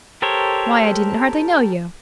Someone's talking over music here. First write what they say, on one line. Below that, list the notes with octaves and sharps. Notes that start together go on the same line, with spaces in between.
"Why, I didn't hardly know you!"
G4 A4 A#4 C5 C#5